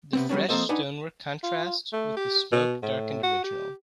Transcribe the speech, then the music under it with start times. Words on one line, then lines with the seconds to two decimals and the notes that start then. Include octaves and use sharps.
The fresh stonework contrasts with the smoke-darkened original.
0.13 C3 B3 C4
0.29 F#3 G3 B3 C#4 D4
0.49 F3 A#3 C4 A4 C5 D#5
0.69 D4 D#4 B4 F#5 G#5
1.43 F4
1.93 A3
2.16 G4
2.52 B2
2.82 A2
3.23 F#4
3.44 G4